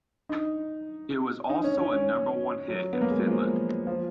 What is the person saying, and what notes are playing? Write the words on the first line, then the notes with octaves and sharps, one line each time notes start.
It was also a number-one hit in Finland.
D#4
D#4
C#4
C#4
C#4
F#3
B3
A#3
G#3
F#3
F3
F3